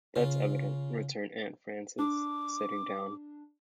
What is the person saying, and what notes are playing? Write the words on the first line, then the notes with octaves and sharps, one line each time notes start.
"That's evident," returned Aunt Frances, sitting down.
C#3 F4
D4 D6